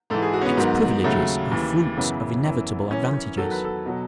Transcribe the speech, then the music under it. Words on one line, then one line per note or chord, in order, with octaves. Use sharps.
Its privileges are fruits of inevitable advantages.
G#2 E3 A4
G#4
F#4
C#4
B3
G#2 D#3 F#3
D#2 C#3 F#3 A3
D#2 C#3 E3
F#2 C#3 E3 B3
F#2 E3
F#2 E3 C#4
C#4
E2 D#3 F#3 A4
B4
A4
B2 F#3